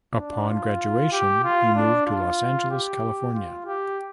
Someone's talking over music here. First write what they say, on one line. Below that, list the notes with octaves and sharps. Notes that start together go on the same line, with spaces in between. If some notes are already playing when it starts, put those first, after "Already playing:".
Upon graduation, he moved to Los Angeles, California.
D4
F4
G4
F4
D4
F4
G4
F4
G4